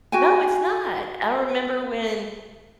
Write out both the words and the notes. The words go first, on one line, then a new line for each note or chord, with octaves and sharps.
No, it's not. I remember when,
F#4 G5 G#5